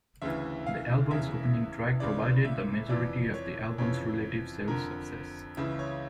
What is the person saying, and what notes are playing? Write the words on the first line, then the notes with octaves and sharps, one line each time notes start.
The album's opening track provided the majority of the album's relative sales success.
D2 C#3 E3 E5
F5
E2 C#3 E3 E5
C#2 C#3 E3 D5
E5
F2 E3 D5
C#5
F2 C#3 E3 C#5
F2 D3 A#4
C#2 C#3 E3 E4
C#5